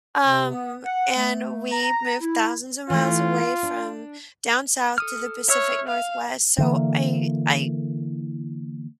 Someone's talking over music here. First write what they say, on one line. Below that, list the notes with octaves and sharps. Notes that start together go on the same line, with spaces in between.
um, and we moved thousands of miles away from down south to the Pacific Northwest. So I I
C3
B3
F#5
A3
A#5
E4
E3 A3 F4
D4
A4 D#6 F6
C#5 E5 E6 F6
F5
D3 E3 A#3